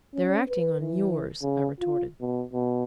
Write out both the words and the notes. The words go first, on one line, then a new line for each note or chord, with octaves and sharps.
"They're acting on yours," I retorted.
C#4
B4
E3
C#3
F4
B2
B2